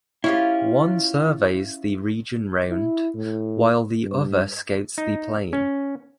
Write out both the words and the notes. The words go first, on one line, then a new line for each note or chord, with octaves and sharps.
One surveys the region round, while the other scouts the plain.
C#4 E4 F4 G4
E4
A2
G2
D#4
C#4